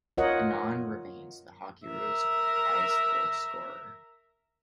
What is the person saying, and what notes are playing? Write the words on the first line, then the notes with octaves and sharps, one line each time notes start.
Annan remains the Hockeyroos highest goal scorer.
F4 A#4 C#5 D#5 F#5
A#4 E5